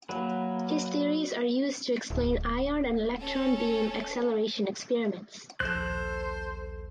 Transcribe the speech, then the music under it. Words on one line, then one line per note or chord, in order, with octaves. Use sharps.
His theories are used to explain ion and electron beam acceleration experiments.
F#3 A#3 B4
D1
C#4 A4
A#1 D#2 A4 C5 F#6